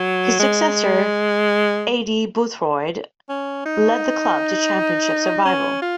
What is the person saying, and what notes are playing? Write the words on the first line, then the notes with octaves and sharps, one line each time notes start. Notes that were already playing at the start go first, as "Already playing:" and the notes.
His successor, Aidy Boothroyd, led the club to Championship survival.
Already playing: F#3
G#3
C#4
D#4
C#4
F4